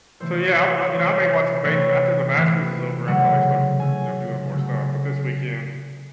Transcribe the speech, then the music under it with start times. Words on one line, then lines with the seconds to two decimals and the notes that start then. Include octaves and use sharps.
So, yeah, I w you know, I may watch some base after the Masters is over, I'll probably start, you know, doing more stuff, but this weekend,
0.20 C3 E3 A3 C5
0.33 C#5
0.46 C5
0.58 C#5
0.70 C5
0.83 C#5
0.93 C3 E3 A3 C5
1.07 C#5
1.20 C5
1.53 C5
1.64 C3 E3 A3 C#5
2.36 C3 E3 A3
3.08 C#3 F#3 A3 F#5
3.79 C#3 F#3 A3 G#5
4.51 C#3 F#3 A3